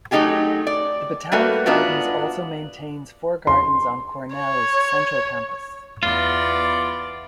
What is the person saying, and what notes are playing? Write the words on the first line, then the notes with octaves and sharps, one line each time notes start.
The Botanic Gardens also maintains four gardens on Cornell's central campus.
F#3 A3 D#4 F4 G4 G#4
D5
G3 A3 A#3 F#4 B4
G#2 B3 D4 F4 F#4
C6
C#5
E2 B3 F4 D5